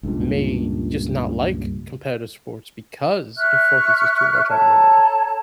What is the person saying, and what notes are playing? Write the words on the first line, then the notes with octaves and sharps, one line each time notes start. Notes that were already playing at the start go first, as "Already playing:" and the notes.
may just not like competitive sports because it focuses too much on winning,
C#2 G2 A#2
E5 C#6 F6 F#6
A4 C#5 A5 A#5